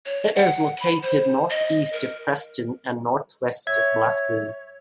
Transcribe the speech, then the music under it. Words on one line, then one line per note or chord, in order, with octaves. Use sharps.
It is located north-east of Preston and north-west of Blackburn.
C#5
F#5
B5
C5
D#5
A#4
C#5 E5 G#6